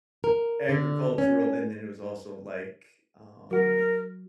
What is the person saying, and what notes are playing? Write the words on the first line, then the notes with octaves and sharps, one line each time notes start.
agricultural, and then it was also, like, um,
A#4
D3
C#4
F#3 F#4 A#4